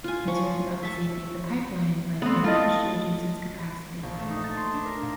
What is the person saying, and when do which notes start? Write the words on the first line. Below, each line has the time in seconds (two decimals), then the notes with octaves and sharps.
Concerns about the safety of the pipeline led Enbridge to reduce its capacity.
0.04 F4 G#5
0.28 F3 C#6
0.83 E5 A5 C#6
2.22 A3 B3 C4
2.44 E4 F4 A4 D#5
4.03 A#1
4.19 A3
4.30 D#4
4.44 A6
4.57 C6
4.74 D4
4.85 A#4
5.02 A#2